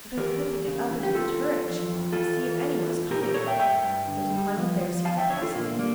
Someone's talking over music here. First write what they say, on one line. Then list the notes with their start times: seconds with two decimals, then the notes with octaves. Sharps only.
'If I could but get up into the turret,' she thought, 'to see if any one is coming.' But to climb up there seemed impossible.
0.17 E3 G4 A#4
0.42 E2
0.67 C#3
0.91 E3
1.03 G4
1.15 E2 F4 A4
1.40 E2
1.65 F3
1.89 F2
2.13 E3 F4 A4
2.37 E3
2.62 E2
2.86 E2
3.10 A#2 G4 A#4
3.22 G4 A#4
3.34 A#2 A4 C#5
3.47 E5 G5
3.59 G2 E5 G5
3.83 G2
4.07 D3
4.33 G3
4.57 F3
4.81 F3
5.05 E2 F5 A5
5.17 E5 G5
5.30 D3 C#5 E5
5.42 F4 A4
5.54 A#2 A#3
5.79 G3 A#3